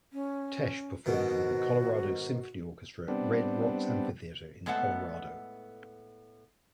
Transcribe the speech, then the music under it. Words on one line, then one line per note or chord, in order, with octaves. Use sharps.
Tesh performed with the Colorado Symphony Orchestra at Red Rocks Amphitheatre in Colorado.
C#4
G#2 B2 D#3 F#4
G3 B3 C4 D4
A2 G#3 B3 A4 F#5 A5